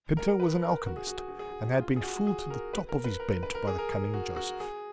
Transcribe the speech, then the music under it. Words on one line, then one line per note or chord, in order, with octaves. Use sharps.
Pinto was an alchymist, and had been fooled to the top of his bent by the cunning Joseph.
A#4
B4
A#4
F#4
G#4
F#4
G#4
F#4
G#4
F#4
F4
G#4
F#4
G#4
A#4
B4
A#4
B4
A#4
B4
A#4
G#4
A#4
F#4
F#4
G#4